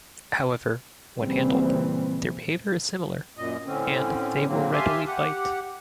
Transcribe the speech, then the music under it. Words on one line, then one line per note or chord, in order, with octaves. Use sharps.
However, when handled, their behavior is similar, and they will readily bite.
A#1 A#2 C#3 E3 G3 C4
F#2 A#2 D#5
A2 D3 C4 C#4
A#2 C#3 F#3 A#3 C4
G4 E5 F5 G#5 A5 C6
G4 F#5